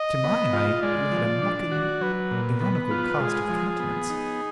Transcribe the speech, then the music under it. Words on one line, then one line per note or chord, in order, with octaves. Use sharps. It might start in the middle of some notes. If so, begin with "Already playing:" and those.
To my eye, you had a mocking, ironical cast of countenance.
Already playing: D#5
B3
F4
G#3 D5
F3
D4
F#4
F#3 B4
A#2
B3
F4
G#3 G#4
F3
B3
D#4